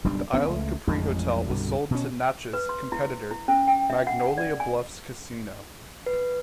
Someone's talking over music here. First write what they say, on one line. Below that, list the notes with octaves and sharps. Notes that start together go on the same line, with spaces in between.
The Isle of Capri hotel was sold to Natchez competitor Magnolia Bluffs Casino.
F#1 B1 G3 D4
G#1 B3 C#4 D4
C#2 A3
A1 F2 G#3
C2 G2 B2 D3
B2 C#4
B4
C6
E4
E4
C#4
G5
E5
F#5
F#5
D5
G#5
B4